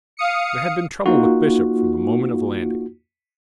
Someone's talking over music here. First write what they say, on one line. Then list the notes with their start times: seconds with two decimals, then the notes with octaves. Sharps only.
There had been trouble with Bishop from the moment of landing.
0.17 F5 D#6 C#7
1.06 A#3 D#4 F4 F#4